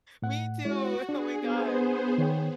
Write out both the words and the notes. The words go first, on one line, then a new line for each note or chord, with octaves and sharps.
Me too, oh my gosh.
A2 F#5
G#3 E4 F#4 C#5
D4 G#4
B3 G#4 C5
D#3 C#5 G5